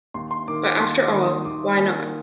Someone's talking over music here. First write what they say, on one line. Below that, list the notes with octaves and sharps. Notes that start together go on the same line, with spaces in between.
But after all — why not?
D#2 C6
C6
D#3 A#3 D6
D6
D#2 C6
D6
D#3 A#3
D#6
D#2 D6
D#3 A#3 G#5